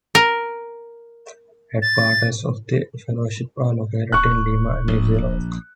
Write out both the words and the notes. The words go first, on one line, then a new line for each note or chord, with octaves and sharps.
Headquarters of the fellowship are located in Lima, New York.
A#4
A6
D1 C#6 F#6
A#1